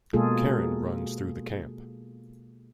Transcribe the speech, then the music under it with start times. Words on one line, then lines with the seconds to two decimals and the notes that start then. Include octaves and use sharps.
Karen runs through the camp.
0.13 B2 G#3 A#3 F4 G#4 A4